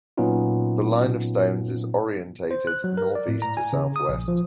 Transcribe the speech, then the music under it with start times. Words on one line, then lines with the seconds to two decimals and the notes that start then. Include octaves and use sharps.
The line of stones is orientated north-east to south-west.
0.17 A#2 F#3 B3 C#4 D#4 F4
2.51 C5
2.67 F#6
2.84 F#3
2.97 A#4
3.15 D5
3.28 A2
3.42 A#5
3.57 G#5
3.73 C#3
3.96 D#6
4.09 A#1
4.28 F3